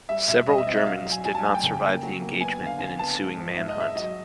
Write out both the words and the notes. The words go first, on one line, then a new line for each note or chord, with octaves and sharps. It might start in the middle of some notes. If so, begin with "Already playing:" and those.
Several Germans did survive the engagement and ensuing manhunt.
G3 E5
B2 E5
G3 D#5
E5
C4 D#5
E5
F#3 F5
F#3
G#5
F#3 G#5
A5
A3 G#5
G5
C#3
A#3
F#3
A#3
B3 G#5
D3
F5
D3 G#5
B3 A5
G#2
F3
G#2 E5
D#5
G#3
E5
F#3 D#5